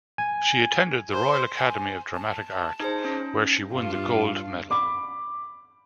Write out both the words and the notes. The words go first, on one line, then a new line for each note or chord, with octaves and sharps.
She attended the Royal Academy of Dramatic Art, where she won the Gold Medal.
G#5
C5
G#5
A5
D#4 G#4 C5
C#4
G2 D4 F4
B5 D6